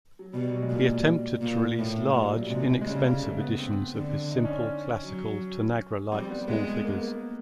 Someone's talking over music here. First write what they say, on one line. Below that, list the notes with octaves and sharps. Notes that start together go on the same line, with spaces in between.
He attempted to release large, inexpensive editions of his simple, classical, Tanagra-like small figures.
F#3
B2 G3
F#3
G#3
A#2 G3
A#2
A2
A#2 G3
F#3
G3
C3 G#3
G#3
C#3 G3
G#3
A3
B3
C4
D3
D#4
D4
C#4
D4
C#4
F#3
G3 C4
B3
G#3 B3
A#3
B3
A#3